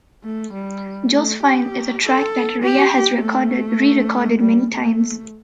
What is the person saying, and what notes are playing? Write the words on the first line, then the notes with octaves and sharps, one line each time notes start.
"Josephine" is a track that Rea has re-recorded many times.
A3
G3
A3
G4
A4
G4
A3
G3
A3